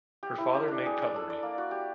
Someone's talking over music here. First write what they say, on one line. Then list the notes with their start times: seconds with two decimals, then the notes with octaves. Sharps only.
Her father made cutlery.
0.23 G4
0.38 E4
0.54 G4
0.68 D4
0.86 G#4
1.02 D5
1.16 A4
1.30 D5
1.43 A#3
1.58 F#4
1.71 G4